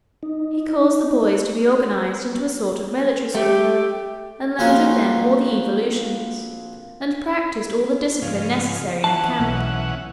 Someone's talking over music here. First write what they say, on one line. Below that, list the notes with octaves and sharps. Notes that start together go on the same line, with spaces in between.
He caused the boys to be organized into a sort of military school, and learned with them all the evolutions, and practiced all the discipline necessary in a camp.
D#4
A3 G4
A#1 F2 F4 F#4 A#4 C5
G#2 C#3 F3
E3 C#4 F#5 A5
B1